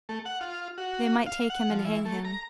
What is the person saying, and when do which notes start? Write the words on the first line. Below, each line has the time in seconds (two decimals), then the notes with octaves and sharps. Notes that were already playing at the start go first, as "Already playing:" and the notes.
They might take him and hang him.
0.09 A3
0.25 F#5
0.41 F4
0.78 F#4
1.26 F5
1.50 F#5
1.71 F3
1.85 E3
2.05 A3
2.25 A#5